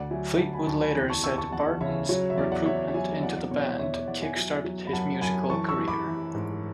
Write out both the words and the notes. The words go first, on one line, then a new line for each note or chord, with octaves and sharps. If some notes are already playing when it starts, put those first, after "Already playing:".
Fleetwood later said Barden's recruitment into the band kick-started his musical career.
Already playing: D2 D5 F#5
F#3 E5 G#5
D2 F#5 A5
G#5 B5
D2 A5 C#6
G#5 B5
E2
A5 C#6
E2 C#6 E6
A5 C#6
E2 F#5 A5
C#3 C#5 E5
F#3 C#5
E5
E2 D5
D5 F#5
E2 C#5 E5
F#3 E5 G#5
E2 D5 F#5
D5
B2 C#5
D5
E2 C#5 E5
D5
E2 D5 F#5
E5 G#5
F#3
F#3
B5
F#2 F#5 A5
F#2 G#5 B5
E3 A5 C#6
C#6 E6
E3
B5 D6
E3
G#2